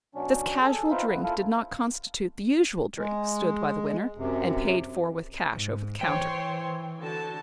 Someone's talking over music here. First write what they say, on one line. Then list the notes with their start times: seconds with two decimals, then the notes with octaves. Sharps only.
This casual drink did not constitute the usual drink stood by the winner, and paid for with cash over the counter.
0.15 B2 F#3 C#4 D4
0.61 G#4 A4
0.91 D#4 F4 B4 C5 E5 F5
1.08 F2 B3 B4
1.23 A#3 E4 F4 A4 F5
2.98 G#3
4.18 F#2 C3
5.52 G#2
6.01 E3 C5 C#5 G5 C6
7.01 D3 F#4 A5